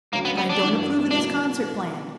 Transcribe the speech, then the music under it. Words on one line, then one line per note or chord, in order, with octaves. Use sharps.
But I don't approve of this concert plan.
D2 D3 F#3 A#3 C#4
B3
B3
D4
G1 G2 E3
C#2 B2 F#3 A#3 D4 E4